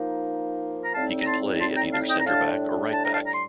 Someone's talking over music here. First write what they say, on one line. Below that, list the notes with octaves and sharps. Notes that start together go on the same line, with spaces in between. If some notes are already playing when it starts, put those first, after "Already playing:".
He can play at either centre back or right back.
Already playing: F3 A#3 D#4
A#5
A2 G3 C4 D#4 F5 A5
A#5
A5 C6
A5 C6
G5 A#5
F5 A5
D#5 G5
A#5
A2 G3 D4 F5 A5
A5
A#5
F5 A5
A#5
C6